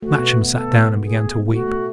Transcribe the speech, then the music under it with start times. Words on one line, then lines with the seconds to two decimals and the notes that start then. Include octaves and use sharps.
Matcham sat down and began to weep.
0.02 A3 F#4
0.19 B2 B3
0.52 A4
1.02 G#4
1.51 A3 F#4
1.68 A3